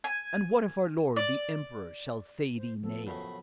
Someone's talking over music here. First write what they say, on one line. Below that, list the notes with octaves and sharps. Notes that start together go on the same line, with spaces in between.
"And what if our lord the emperor shall say thee nay?"
G#5
D5
C5
F3 B3 A4
F#2 A2 C#3 B5